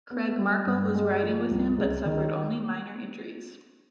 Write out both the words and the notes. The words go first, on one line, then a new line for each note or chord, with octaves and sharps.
Craig Markle was riding with him but suffered only minor injuries.
B3
G3
G2
G#3
F3
C2
C#2
D#3